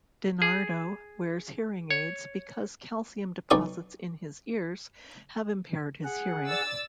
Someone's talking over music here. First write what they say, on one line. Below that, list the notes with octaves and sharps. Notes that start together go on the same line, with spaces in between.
DiNardo wears hearing aids because calcium deposits in his ears have impaired his hearing.
G#4
C#5
B1 D#4 D5 C#6 D#6
G#4 F#5
D5 E6 A6